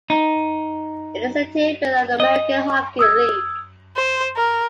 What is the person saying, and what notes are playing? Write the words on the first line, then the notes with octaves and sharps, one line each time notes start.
It is a tier below the American Hockey League.
D#4
D#5
D#6 E6 G#6
C5
A#4